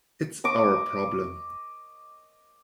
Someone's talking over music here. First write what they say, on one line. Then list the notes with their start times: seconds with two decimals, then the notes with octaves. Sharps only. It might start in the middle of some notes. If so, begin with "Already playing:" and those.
It's our problem.
0.44 D#5 C#6 D6